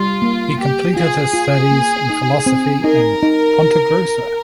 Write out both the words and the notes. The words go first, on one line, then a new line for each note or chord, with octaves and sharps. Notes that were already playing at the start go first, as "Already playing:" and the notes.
He completed his studies in philosophy in Ponta Grossa.
Already playing: G3 F4
A#3
A#3 G4
F4 G#4
F4
A#3
D#4
C4
D#4 A#4
D#4